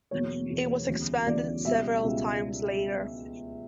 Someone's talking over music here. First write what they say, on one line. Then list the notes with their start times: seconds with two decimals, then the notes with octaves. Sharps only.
It was expanded several times later.
0.11 E2 B2 F#3 A#3 C#5
0.50 E2 B2 F#3 A#3
0.88 D2 C#3 E3 G3 B3
1.27 D2 C#3 E3 G3 B3 D5
1.65 C#2 B2 G3 E5
2.03 C#2 B2 G3